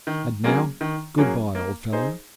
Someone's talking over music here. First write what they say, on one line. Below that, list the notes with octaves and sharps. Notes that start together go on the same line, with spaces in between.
And now, good-bye, old fellow.
D#3
F#3 A#3 C#4 G#4
D#3
F#3 A#3 C#4 G#4
A#3
D#4 G#4 C5